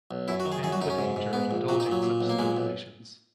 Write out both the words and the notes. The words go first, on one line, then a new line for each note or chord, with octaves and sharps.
I know the danger of indulging such speculations.
B1
F#2 E4
F#4
D#3
G#4
F#2 G#4
F#4
F#2 D#4
C#4
G#2
G#2
G#2 B3
A#1
A#2 F#4
D#4
A#2 F#3
A#2
B1
A#3
A#2 G#3
B1